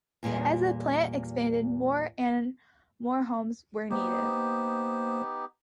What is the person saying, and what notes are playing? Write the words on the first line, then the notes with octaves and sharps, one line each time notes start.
As the plant expanded, more and more homes were needed.
E2 A#2 G3 G#4
A#3 B3 D#4 G4 C5